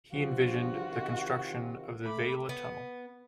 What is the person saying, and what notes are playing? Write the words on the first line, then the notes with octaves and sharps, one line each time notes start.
He envisioned the construction of the Vielha tunnel.
G2 F3 F4 F#4
C3 D#3
A3 B5 D6
B3